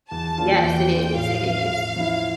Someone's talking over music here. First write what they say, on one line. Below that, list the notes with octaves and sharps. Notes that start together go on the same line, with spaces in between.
Yes, it is, it is.
E2 A5
E3 A#3 D4 F4
E2 G5
E3 A#3 D4 F4
A2 F5
F3 C#4 E4
A2
F3 C#4 E4